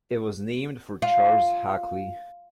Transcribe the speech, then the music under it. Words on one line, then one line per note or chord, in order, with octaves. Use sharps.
It was named for Charles Hackley.
F4